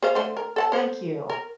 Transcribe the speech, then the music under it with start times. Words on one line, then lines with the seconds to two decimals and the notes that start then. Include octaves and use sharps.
Thank you.
0.03 G#4 C5 F5
0.15 D3 A3 C5
0.37 A#4
0.56 A4 F#5 A5
0.72 A4 C5
1.30 A#4